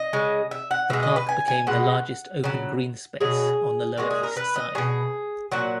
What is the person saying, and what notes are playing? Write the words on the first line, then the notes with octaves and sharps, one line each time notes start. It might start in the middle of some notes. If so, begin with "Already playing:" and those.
The park became the largest open green space on the Lower East Side.
Already playing: D#5
C#3 G#3
E5
F#5
B2 G#3 E5
D#5
B4
G#5
G#5
B2 G#3 F#5
C#3 F#3
B2 F#3 G#4
A#2 G#3 F#4
G#4
A#4
B4
D#5
B2 F#3 G#4
A#2 F#3 F#4